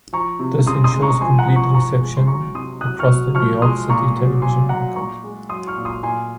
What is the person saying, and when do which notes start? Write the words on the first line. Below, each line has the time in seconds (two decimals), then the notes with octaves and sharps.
This ensures complete reception across the New York City television market.
0.13 F3 A#5 C#6
0.40 C3
0.66 C#3 C6 D#6
0.84 C6 D#6
0.94 G#3
1.02 A#5 C#6
1.21 F3 G#5 C6
1.39 F#5 A#5
1.47 F3
1.56 A#5 C#6
1.74 F3 A#5 C#6
2.01 G#3
2.17 C6
2.27 F#3 A#5 C#6
2.55 C3 C6 D#6
2.81 F#3 D#6 F#6
2.99 C#6 F6
3.08 F#3
3.35 F3 C#6 F6
3.62 G#3 C6 D#6
3.90 A#2 A#5 C#6
4.16 F#3
4.42 F#3 G#5 C6
4.69 F#3 F#5 A#5
4.96 A#2 A#5 C#6
5.24 G#3
5.49 F#3 C6 D#6
5.67 C#6 F6
5.77 A#2
5.85 C6 D#6
6.03 A#2 G#5 C6